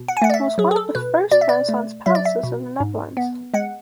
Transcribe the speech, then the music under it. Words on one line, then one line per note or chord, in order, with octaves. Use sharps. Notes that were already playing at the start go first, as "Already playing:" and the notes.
It was one of the first Renaissance palaces in the Netherlands.
Already playing: B2
F#5
G#5
A3 F#5
D5
E5
F#3 G#4
G#4
A4
B2 B4
B2 D5
E5
D5
A3
F#3 E5
D5
E5
B2
G#2
B3
G#3 F#5